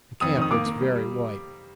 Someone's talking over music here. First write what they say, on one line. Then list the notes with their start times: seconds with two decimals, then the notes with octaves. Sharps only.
The camp looks very white.
0.21 F2 D#6
0.36 D#3
0.42 D#6
0.51 A#3 D6
0.66 A#3
0.81 G3
0.96 G3